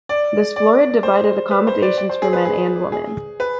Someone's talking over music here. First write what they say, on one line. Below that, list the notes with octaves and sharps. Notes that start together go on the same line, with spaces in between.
This floor had divided accommodations for men and women.
D5
D5
C5
B4
C5
D5
D5
C5
G#4
B4
G#4
G#4
B4